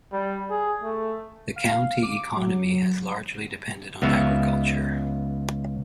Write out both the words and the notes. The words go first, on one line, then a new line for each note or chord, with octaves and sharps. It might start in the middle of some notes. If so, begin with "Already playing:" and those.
The county economy has largely depended on agriculture.
G3
G#4
A3
F5
D6
F#3
C#2 B3 E5 F5